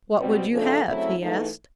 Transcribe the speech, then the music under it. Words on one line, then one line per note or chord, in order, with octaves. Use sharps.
"What would you have?" he asked.
B2 G3 C4
F2 C#3 F3 A3 D4
C#3 F#3 A3 C4 E4
G#2 E3 A3